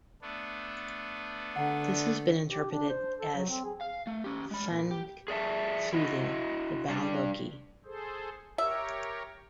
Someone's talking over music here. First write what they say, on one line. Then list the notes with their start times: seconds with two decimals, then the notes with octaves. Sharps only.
This has been interpreted as Sigyn soothing the bound Loki.
0.22 A3 B3 D4
1.56 D3 F#5 A#5
2.49 G4
2.71 D4
2.89 C5
3.19 A4
3.36 F#3
3.50 C4
3.64 G#4
3.81 F5
4.07 A3
4.24 C#4 G4
4.51 G#3 B5
4.71 A#2
4.91 G4
5.28 G#4 D5 E5 A5
5.93 E4 F#4 D#5
6.89 G3 D4
7.85 G#4 A4 C5
8.58 G4 A#4 C#5 E5